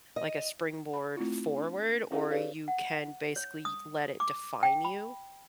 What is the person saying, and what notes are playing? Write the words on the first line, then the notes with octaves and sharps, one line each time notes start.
like, a springboard forward, or you can basically let it define you.
D#5
B5
A3 C4 E4 F4
D4
C#4 E4 G#4 A4 E5 F5
G4 A4 B4 C#5 D5 F5
F#5
C#5
D#6
D6
G5
B5